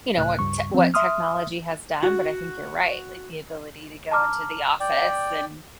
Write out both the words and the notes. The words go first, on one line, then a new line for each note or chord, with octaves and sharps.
you know, what te what technology has done, but I think you're right, like, the ability to go into the office and
C#2 A2 F#6
C#2 G2 C#6
F3 C4
E5 C6 D#6 F6
F#4
A5 A#5 D6 F6
D5 G5